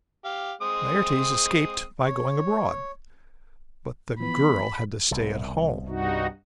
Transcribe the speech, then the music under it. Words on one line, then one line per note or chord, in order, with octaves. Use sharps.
Laertes escaped by going abroad, but the girl had to stay at home.
G4 F5
G#3 C4 D#6
C#5
E3 F3 B3 B5
C2 B2
G2 D#4 F#4